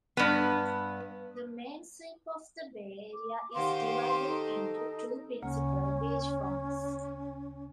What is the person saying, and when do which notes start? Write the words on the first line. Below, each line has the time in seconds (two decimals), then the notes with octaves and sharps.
The main sweep of the bay area is divided into two principal beachfronts.
0.17 G2 B3
3.13 D6
3.54 D#3 G4 C5 F5 F#5 C6
4.25 D#4 A4
5.42 D2 C#3 A#3 C#4